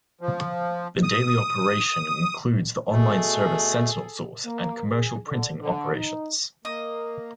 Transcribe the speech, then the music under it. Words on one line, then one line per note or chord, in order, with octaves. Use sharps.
The daily operation includes the online service SentinelSource and commercial printing operations.
F3
D#6
B2 A3 G#4 A4
A#3
G#4
D3
D3
D#4
A#3 D#5